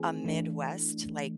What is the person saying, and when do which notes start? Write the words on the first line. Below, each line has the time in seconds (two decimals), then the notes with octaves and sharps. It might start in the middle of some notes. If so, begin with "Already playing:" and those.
a Midwest, like,
Already playing: E3 A3 C4 G#4
0.25 E3 A3 D4